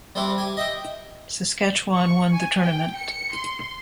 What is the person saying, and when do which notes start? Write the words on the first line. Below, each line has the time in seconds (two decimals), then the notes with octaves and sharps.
Saskatchewan won the tournament.
0.15 G3 C4 D4 E4 G4
0.38 G4 G#5
0.57 D#5 E5 G5
1.94 C#6
2.33 G#5
2.62 G5
2.97 C#7
3.32 C6